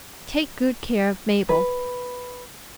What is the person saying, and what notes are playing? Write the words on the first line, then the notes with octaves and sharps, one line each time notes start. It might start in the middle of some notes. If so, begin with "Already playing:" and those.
Take good care of Mabel.
B4